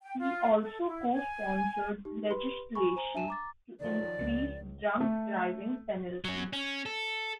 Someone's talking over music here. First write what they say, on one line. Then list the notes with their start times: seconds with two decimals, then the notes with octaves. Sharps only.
He also co-sponsored legislation to increase drunk driving penalties.
0.03 G5
0.19 F4
0.60 A4
0.86 E4
1.13 G#5
2.05 D#4 G4
2.31 G4 B4 B5 C6
2.75 G#5 B5 C#6
2.96 C5 G#5 A#5
3.14 D4 E5 G#5 A5 D#7 E7
3.28 A#5 D6 A6
3.80 D#3 F3 F#3 D5
4.16 C#2
5.00 A3
6.25 F#3 C#4
6.53 C#4
6.86 A4